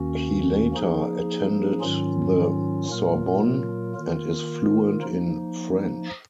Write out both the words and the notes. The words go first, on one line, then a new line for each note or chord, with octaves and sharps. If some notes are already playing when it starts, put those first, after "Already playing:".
He later attended the Sorbonne and is fluent in French.
Already playing: D#2 D#3 A#3 C#4 F#4
F3 A#3 D#4 G#4
G#2 D#3 F#3 C#4 F4
A#2 F#3 A#3 F4 A#4
D#3 A#3 F4 A#4
F3 A#3 D#4